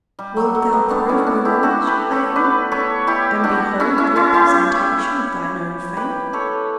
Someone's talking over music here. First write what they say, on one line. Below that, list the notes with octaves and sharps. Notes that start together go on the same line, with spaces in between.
'Wilt thou prove my knowledge, Ione, and behold the representation of thine own fate?
G3
F#3 A3
F#3 A3
G3 B3
B3 D4
C#4 E4
D4 F#4
E4 G4
F#4 A4
G4 B4
A4 C#5
B4 D5
A4 C#5
E4 G4
D4 F#4
C#4 E4
C#4 E4
C#4 E4
E4 G4
G4 B4
A4 C#5